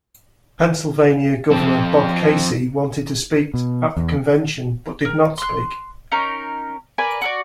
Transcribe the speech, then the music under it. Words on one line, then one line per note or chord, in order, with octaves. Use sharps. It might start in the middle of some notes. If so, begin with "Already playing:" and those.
Pennsylvania Governor Bob Casey wanted to speak at the convention, but did not speak.
F2 C4
B2
E2
A#4
C6 F#6
C#4 D#4 A#4
A#4 B4 D5 G#5
F#4 A4 D5